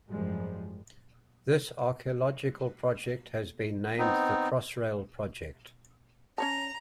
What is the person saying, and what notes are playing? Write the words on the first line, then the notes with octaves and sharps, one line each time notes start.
This archaeological project has been named the Crossrail Project.
G#1 F#2 F3 G3 G#3
B3 C4 D#4
C#4 C#5 A5 A#5